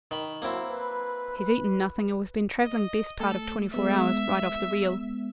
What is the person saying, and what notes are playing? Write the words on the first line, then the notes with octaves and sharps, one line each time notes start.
He's eaten nothing, and we've been travelling best part of twenty-four hours right off the reel.'
D#3 B5
F#3 A#3 C4 E4
B4
B4
D#5
A3 A4
G#3 B3 E5